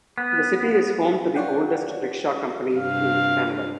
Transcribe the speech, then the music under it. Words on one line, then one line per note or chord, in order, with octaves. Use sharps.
The city is home to the oldest rickshaw company in Canada.
B3
F4 C#5 D5 F#5 G5
G2 C3 F5